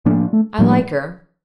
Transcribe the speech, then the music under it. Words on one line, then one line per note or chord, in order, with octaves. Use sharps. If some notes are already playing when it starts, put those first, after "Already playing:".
I like her.
A2 F3 A3 A#3 D4
A3
A2 F3 G3 A#3 D4